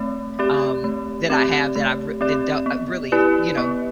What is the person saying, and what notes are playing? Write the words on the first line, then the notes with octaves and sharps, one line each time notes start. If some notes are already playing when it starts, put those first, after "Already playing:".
um, that I have that I've re that do really, you know,
Already playing: A3 C4 D5
C4 G4 D5
A3
C4 G4 D5
A3
C4 G4 D5
B3
E4 G4 B4 D5
B3